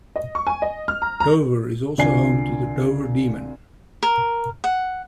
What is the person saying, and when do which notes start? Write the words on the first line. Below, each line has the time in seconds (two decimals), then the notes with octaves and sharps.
Dover is also home to the Dover Demon.
0.16 D#5
0.35 C#6
0.47 G#5
0.62 D#5
0.88 F6
1.02 A#5
1.20 A#5
1.98 C2 D3 F4 D5 G#5 C7
4.03 A#4
4.64 F#5